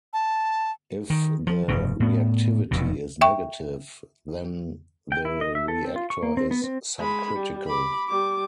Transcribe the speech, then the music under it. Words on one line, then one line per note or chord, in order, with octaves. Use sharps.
If the reactivity is negative - then the reactor is subcritical.
A5
D#3
F3
F1 G2 B2
A2 B3
F1 F2 B2
E5 G5 C#6
G5
E4
D#5
E5
A4
C4
F4
C#6
A#3
C4
B3
C4
G#3 B5
G3
B5 D6
G3 D6